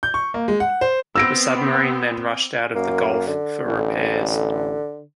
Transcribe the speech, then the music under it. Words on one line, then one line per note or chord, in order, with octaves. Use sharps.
The submarine then rushed out of the Gulf for repairs.
G6
C#6
A#3
G#3
F#5
C5
B3 C4 E6 A#6 D7
F#2 A#3
D3
A1